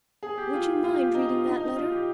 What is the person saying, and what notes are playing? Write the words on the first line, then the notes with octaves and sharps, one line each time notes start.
Would you mind reading that letter?
G#4
G4
F4
F4
G4
D#4
F4
D#4
D#4
F4
G4